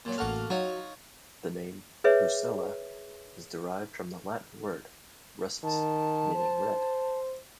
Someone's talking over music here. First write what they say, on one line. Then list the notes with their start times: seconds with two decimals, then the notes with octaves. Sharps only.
The name "Russula" is derived from the Latin word "russus", meaning "red".
0.05 A#2 F#3
0.18 A1 A3 A#3 F#4 F5 F6
0.50 F#3 D#4 F4 C#5
2.04 G#4 B4 C#5 E5
5.64 D#3 A5
6.35 C5